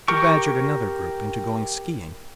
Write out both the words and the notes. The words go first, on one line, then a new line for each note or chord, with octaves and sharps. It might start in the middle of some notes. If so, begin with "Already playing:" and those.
She badgered another group into going skiing.
G4 A#4 G5 C#6